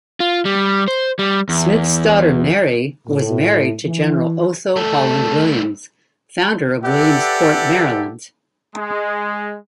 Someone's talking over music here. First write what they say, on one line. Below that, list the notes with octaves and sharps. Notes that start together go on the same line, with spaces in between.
Smith's daughter Mary was married to General Otho Holland Williams, founder of Williamsport, Maryland.
F4
G3
C5
G3
E2
A2
E3
G3 A3 A4
G4 A4 B4 D5 E5 F#5
G#3